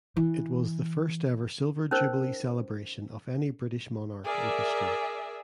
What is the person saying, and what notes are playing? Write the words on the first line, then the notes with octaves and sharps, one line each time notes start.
It was the first ever Silver Jubilee celebration of any British monarch in history.
E3
C#4 D#4 A#4 C5
G#4 A#4 D5 E5